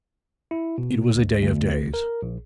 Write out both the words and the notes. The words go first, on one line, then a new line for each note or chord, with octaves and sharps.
It was a day of days.
E4
B2
D2
D2
A#4
A#1